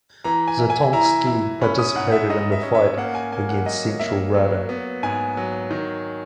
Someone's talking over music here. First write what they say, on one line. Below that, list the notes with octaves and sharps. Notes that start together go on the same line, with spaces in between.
Zatonsky participated in the fight against the Central Rada.
E3 A#5
G#5
E4
G#5
E4 A#5
E4
C#4 B5
D#6
G#2 F#5
E5
G#2 D#5
E5
C#4
E5
A#3 F#5
G#5
A#3 G#5
F#5
F#3 D#5
A#3 E5
F#3
B3
G#2 G#5
F#3
D#3